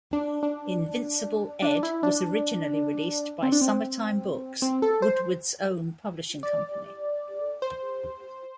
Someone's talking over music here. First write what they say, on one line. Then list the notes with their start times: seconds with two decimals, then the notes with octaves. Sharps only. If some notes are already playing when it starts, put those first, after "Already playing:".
"Invincible Ed" was originally released by Summertime Books, Woodward's own publishing company.
0.13 D4
0.43 D4
1.62 D4
1.83 E4
2.03 D4
3.43 C4
3.52 D4
3.61 C4
4.62 C4
4.82 A4
5.02 C5
6.43 D5
7.62 C5